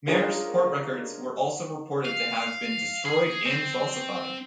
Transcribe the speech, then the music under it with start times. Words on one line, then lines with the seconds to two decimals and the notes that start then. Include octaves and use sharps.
Mayor's court records were also reported to have been destroyed and falsified.
0.08 D4 D#4 F4 G#4 A#4 C#5
2.05 F5
3.06 G#4
3.46 C4